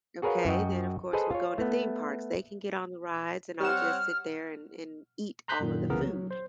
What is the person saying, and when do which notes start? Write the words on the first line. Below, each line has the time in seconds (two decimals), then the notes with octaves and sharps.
okay, then, of course, we're going to theme parks; they can get on the rides, and I'll just sit there and and eat all of the food.
0.22 F#4 G#4 A#4 B4 C#5 F5
0.45 F#2 F#4 D#5 G5
1.13 G#4 A4 B4 C5 D#5
1.31 F4 C#5
1.58 A3 B3
3.60 G3 C4 C#5 F#5 F6 E7
5.48 A#5 C6 F#6 G6 B6
5.60 F#2 A#2 D#3
5.89 C2 C#3 E3 B3 A#4
6.04 F#3
6.31 C5